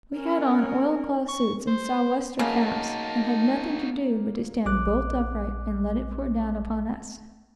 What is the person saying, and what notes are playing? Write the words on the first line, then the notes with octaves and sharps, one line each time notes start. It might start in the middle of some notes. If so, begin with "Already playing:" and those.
We had on oil-cloth suits and south-wester caps, and had nothing to do but to stand bolt upright and let it pour down upon us.
C#4 A#4
C#6
C5
C#3 A#3 D#4 F#4 A5
A#1 D6 F#6